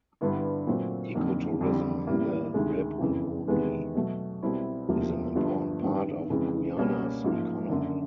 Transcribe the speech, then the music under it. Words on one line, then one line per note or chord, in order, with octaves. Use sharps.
Eco-tourism in the Rupununi is an important part of Guyana's economy.
G2 D3 G3 B3 E4
A#2 F#3 A3 C4 F4
F2 D3 F#3 A#3 D#4
F2 D3 G3
A1 A2 E3 G3 A#3
D2 C3 D#3 G#3
F#1 F2 C#3 E3
E2 C3 D#3 G#3 B3
B2 F#3 A3
C2 B2 G3 C4 E4
E1 D2 C3 F3 A#3
G1 G2 D3 F3
A1 G2 D#3
F2 C#3 E3 G#3
C#2 B2 G3 A#3 C#4
A1 G#2 F3 A#3
F#1 F#2 D3